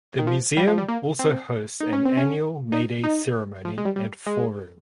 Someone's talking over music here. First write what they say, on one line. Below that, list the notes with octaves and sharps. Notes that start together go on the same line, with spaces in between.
The museum also hosts an annual Mayday Ceremony and forum.
D#3
F3
G3
F3
G3
A#3
C4
D#4
C#4
C4
C#4
D#4
D#4
F3
G#3
G3
G3
G#3